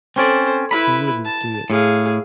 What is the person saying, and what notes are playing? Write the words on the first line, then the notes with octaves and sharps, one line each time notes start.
He wouldn't do it.
C4 C#4 A4 C5 D5
E4 B4 B5
A5
A2 G#4 F5